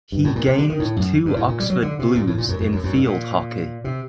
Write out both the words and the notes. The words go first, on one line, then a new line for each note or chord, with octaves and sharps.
He gained two Oxford blues in field hockey.
G2
A2
A#2
C3
D3
D#3
A2
F#2
G2
A2
A#2
G3
F#3
D3
C3
A#2
A2
A#2
F#2
F#2
F#2
F#2
G2
A#2
C3